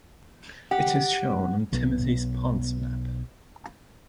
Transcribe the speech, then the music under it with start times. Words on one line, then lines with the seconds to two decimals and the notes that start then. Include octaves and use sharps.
It is shown on Timothy Pont's map.
0.71 G4 F#5
1.72 B1 B3